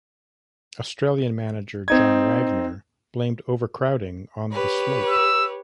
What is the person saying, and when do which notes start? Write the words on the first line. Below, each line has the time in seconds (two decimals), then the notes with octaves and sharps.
Australian manager John Wagner blamed overcrowding on the slope.
1.88 C4 D#4 G#6
4.52 G4 B4 C#5
5.09 E6